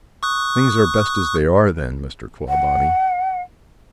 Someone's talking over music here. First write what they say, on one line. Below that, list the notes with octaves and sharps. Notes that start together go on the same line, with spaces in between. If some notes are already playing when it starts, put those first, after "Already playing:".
"Things are best as they are, then, Mr. Clawbonny."
C#6 D#6 F#6
F#5